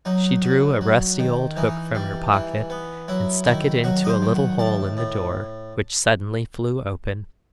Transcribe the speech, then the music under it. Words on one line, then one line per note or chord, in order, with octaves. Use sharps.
She drew a rusty old hook from her pocket and stuck it into a little hole in the door, which suddenly flew open.
F#3 D#4
F#3
F#3
D#3
E3 D#4
G3
E3
B3
F#3 E4
D#3 E4
F#3 F#4
D#5
C5
D#3
F#5
A2 A5
A2